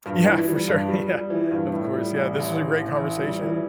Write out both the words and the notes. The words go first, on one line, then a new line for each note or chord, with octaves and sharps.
Yeah, for sure, yeah. Of course, yeah, this was a great conversation.
G2
E3
G3
G2
G3
G3
E3
G2
A2
G3
A1
A1
A1
A1
A1
G3
E3